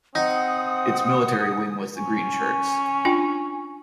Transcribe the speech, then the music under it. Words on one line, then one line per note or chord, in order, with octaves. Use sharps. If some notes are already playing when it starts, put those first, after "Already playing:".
Its military wing was the Greenshirts.
C4 D#4 F#5 D#6
C#4
D4 F4 G5